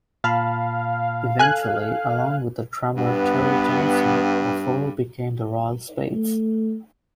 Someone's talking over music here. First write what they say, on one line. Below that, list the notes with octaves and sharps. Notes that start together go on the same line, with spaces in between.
Eventually, along with the drummer Terry Johnson, the four became the Royal Spades.
A#2 F5 A5 B5
A4 G#5 F#6
G2 B3
A3